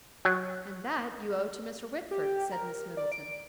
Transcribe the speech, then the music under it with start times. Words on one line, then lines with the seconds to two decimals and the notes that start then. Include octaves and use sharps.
"And that you owe to Mr. Whitford," said Miss Middleton.
0.25 F#3
2.11 G4
2.52 A#4
2.97 D5
3.12 D7